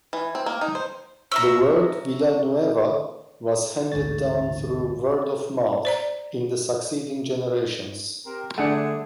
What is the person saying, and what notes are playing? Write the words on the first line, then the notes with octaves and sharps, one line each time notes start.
The word Villanueva was handed down through word of mouth in the succeeding generations.
E3
C4
A#3
D#4
C5
C#4 E5 A#5 E6
A1 D2 G#2 D3 C#5 A6
C5 D5 A#5
C4 G4 A#4
D3 A3 D4 G#4 F#5